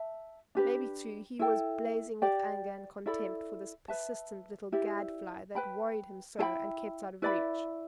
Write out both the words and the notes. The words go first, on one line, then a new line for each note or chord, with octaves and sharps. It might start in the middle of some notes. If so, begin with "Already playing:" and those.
Maybe too he was blazing with anger and contempt for this persistent little gad-fly that worried him so and kept out of reach.
Already playing: E5 A5
D4 G4 B4
E4 A4 G5
G4 D5 G5
E4 A4 D5 B5
B4 E5 A5
E4 G4 D5
B4 G5 B5
E4 A4 G5 B5
E4 B4 D5 B5